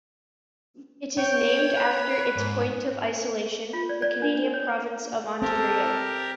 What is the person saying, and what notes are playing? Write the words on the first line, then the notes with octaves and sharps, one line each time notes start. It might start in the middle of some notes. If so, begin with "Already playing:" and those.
It is named after its point of isolation, the Canadian province of Ontario.
C#5 G5
B4
G#2
F4
D5
D5
D4
D4
C#5
C4 G4 A4 A#4